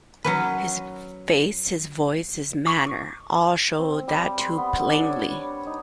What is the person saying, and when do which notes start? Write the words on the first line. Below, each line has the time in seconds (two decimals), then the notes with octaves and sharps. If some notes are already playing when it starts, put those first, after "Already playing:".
His face, his voice, his manner, all showed that too plainly.
0.24 F#3 C#4 B4
2.67 C#6
3.79 C4
4.08 G3
4.39 C6
4.57 B3
4.90 D4
5.10 C#5
5.67 D#4